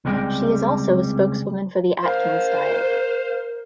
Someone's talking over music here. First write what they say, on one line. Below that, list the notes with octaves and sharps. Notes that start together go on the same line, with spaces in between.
She is also a spokeswoman for the Atkins diet.
C#2 C3 G3 G#3 G5
A#4 C5 F5